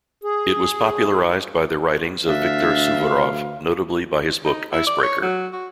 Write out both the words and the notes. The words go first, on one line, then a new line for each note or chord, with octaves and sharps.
It was popularised by the writings of Viktor Suvorov, notably by his book "Icebreaker".
G#4
D2 D4 E5 F5
D#4
E4
D5
C#5
F#3
F#4